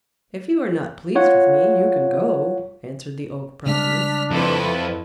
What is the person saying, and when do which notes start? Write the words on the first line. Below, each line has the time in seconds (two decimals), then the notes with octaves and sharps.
"If you are not pleased with me, you can go," answered the Oak proudly.
1.15 F4 C#5 F#5
3.66 C#3 G3 G#3 D4 F6 B6
4.31 F2 E4 A4 B4